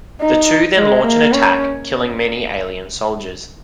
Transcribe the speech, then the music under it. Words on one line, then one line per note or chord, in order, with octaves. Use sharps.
The two then launch an attack, killing many alien soldiers.
D#4
G#3
A#3
C#4